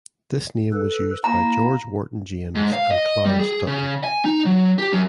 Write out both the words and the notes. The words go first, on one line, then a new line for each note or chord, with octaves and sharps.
This name was used by George Wharton James and Clarence Dutton.
A4 B4
A#3 E4 A#5
G#2
F5
D#5
G3
G#4
C#3
G#5
D#4
F#3
G4
F#2